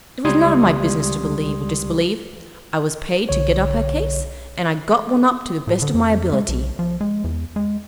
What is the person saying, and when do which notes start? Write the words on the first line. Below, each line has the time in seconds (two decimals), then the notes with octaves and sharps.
It was none of my business to believe or disbelieve: I was paid to get up a case, and I got one up to the best of my ability.
0.25 C#2 G3 C6 D#6 G#6
3.29 B1 D3 C#5
5.67 A2
5.82 D3
5.95 F2
6.33 G#3
6.49 B1
6.79 F3
7.01 G#3
7.24 E2
7.56 G#3